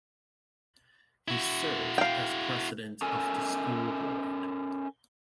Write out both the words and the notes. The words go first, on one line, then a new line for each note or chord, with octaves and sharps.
He served as president of the school board.
E4 F#4
F5 G5
C#4 A4 A#4 G#5